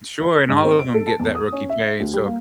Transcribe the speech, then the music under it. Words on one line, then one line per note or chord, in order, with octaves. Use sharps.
Sure, and all of 'em get that rookie pay, and so
G#2
C4
D7
A4
A5
E2
D#6
C#4
E5
D2
G3
A#3